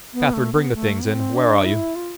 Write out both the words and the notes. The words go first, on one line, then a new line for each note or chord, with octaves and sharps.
Catherine! bring the things in: where are you?'
B3
A3
B3
A3
C4
D4
E4
F4